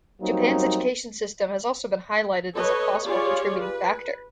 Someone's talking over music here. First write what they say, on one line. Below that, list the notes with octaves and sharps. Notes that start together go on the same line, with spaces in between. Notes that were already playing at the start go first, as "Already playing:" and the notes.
Japan's education system has also been highlighted as a possible contributing factor.
F#3 G3 A#3 C4 D#4
A4 B4 C#5 D#5
F4 G4 G#4 C#5 D5 F5
B4